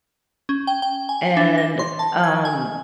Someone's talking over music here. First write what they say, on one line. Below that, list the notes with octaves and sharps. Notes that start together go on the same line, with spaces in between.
and, um
C#4
G5
G5
G#5
D4
A#6
C6
A5
G#6
G#5